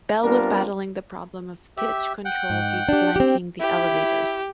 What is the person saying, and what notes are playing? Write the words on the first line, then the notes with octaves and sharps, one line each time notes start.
Bell was battling the problem of pitch control due to "blanking" the elevators.
G3 B3 C4 D4 F4 A#4
G4 E5
F#5 G5
G#2
D4 G4
C4 G4
E4 G4